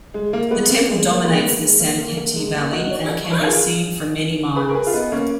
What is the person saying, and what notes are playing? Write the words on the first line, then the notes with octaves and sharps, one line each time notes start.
The temple dominates the Sanpete Valley, and can be seen from many miles.
G#3
A#3
G#3 B3
A#3
G#3
A#3
G#3 B3
G#3
A#3
G#3
A#3
A#3
A#3
G#3
A#3
D#4 F#4
C#5
B4
A#4
F4 G#4
G#4 B4
A#4
G#4 B4
F4
B3 D#4
A#3 C#4